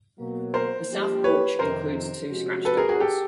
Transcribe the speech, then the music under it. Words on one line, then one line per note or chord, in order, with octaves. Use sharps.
The south porch includes two scratch dials.
B2 F#3 A#3
A#4 C5
F3 A#3 D4 G4
B4 C#5
F2 C3 D#3 A#4 C5
C3 F3 G#3 C#4 F#4
A4 B4
G#4 A#4
F#4 G#4
G4 A4